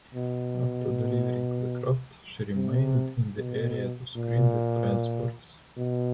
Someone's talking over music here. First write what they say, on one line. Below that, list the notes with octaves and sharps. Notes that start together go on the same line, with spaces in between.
After delivering the craft, she remained in the area to screen the transports.
B2
C3
B2
A#2
B2